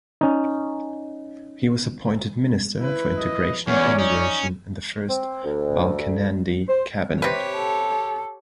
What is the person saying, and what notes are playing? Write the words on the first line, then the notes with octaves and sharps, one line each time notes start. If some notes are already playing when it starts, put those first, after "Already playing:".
He was appointed Minister for Integration and Immigration in the first Balkenende cabinet.
C#4 D#4
E4 B4
D#5
E2 C#4 C#5 D5
C#4 D#4
C4
D2
C5
C3 G4 B4 C#5
A4